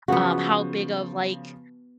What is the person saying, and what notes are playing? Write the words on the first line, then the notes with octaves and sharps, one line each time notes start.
um, how big of like,
C#3 F3 B3 F#4